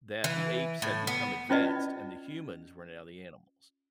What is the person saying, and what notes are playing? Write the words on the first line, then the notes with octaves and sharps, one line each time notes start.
that the apes had become advanced and the humans were now the animals,
E3
A2
B3
C#4 E4 F4 B4 D5 D#5